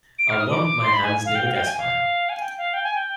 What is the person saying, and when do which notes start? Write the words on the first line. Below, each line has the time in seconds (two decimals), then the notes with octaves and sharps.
I warmed my hands near the gas fire.
0.19 D7
0.30 F6
0.41 D#6
0.50 D6
0.83 C6
0.93 B5
1.03 G#5
1.25 F5
1.35 G5
1.47 F5
1.56 G5
1.67 G#5
1.78 F5
2.29 G#5
2.42 G5
2.58 F5
2.74 G5
2.83 G#5
2.95 G5